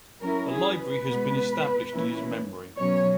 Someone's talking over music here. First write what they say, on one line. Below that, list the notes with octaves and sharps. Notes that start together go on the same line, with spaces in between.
A library has been established in his memory.
F#3 C#4 E4 A#4
G#4
B4
B2 G#3 B3
E3 A#3 C#4 E4
B2 F#3 C#4 C#5